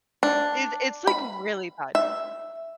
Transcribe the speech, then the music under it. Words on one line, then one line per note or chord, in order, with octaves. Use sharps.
It it's, like, really bad.
D4
B5
E5